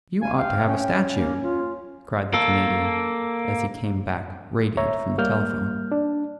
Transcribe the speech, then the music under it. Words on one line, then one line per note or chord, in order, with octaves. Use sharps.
"You ought to have a statue," cried the Canadian, as he came back, radiant, from the telephone.
F5 G#5
F5 G5
C#4
A#3
F4
A#3 A4
C#5 E5 A#5
G3 A#3 F6 G6
D4